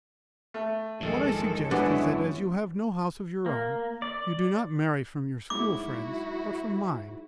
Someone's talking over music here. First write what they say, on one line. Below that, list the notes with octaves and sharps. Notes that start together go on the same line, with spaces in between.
What I suggest is that, as you have no house of your own, you do not marry from your school friend's, but from mine.
A3
A#1 D#2 G#2 D#3 G#3 A4
F#2 G#3 B3 C#4 D4 E4
A#3
D5
G#2 F#3 E4 F#4 D6